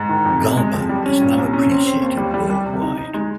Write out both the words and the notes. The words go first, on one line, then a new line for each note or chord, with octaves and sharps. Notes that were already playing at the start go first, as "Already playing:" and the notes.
Garba is now appreciated worldwide.
Already playing: G#2
D#3
F2
C3
G#3
F2
G3
C#4
A#2
C2
C#4
C4
C4
D#2
G3
G3
G3
C3
D#4
D#4
G#3